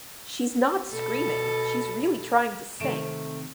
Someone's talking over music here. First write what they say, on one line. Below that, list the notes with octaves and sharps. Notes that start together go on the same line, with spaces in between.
She's not screaming, she's really trying to sing.
B2 A4
C3 D#3 A3 C4 D7 E7